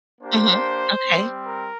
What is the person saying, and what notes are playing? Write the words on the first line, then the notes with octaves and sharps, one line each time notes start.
Mhm. Okay.
A#3 D4 G4 C5
G3 C4 G4
A#4